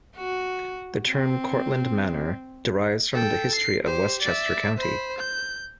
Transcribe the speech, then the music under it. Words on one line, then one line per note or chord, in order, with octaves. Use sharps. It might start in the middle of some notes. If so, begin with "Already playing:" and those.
The term "Cortlandt Manor" derives from the history of Westchester County.
F#4
C4
A4 G5
C7
G4 C5
D5 E5
C5 B5
G6